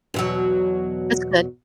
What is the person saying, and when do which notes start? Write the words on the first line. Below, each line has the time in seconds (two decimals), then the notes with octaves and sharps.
that's good.
0.14 E2 B2 F#3